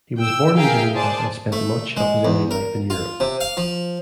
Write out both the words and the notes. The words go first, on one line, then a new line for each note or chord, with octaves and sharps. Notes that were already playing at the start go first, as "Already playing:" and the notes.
He was born in Geneva and spent much of his early life in Europe.
G5 E6
G#4 A#4 E5 F5 G5
G#4 C5 D5 A5
A3
G#3
E2
A#4
F4
C3
F5
F3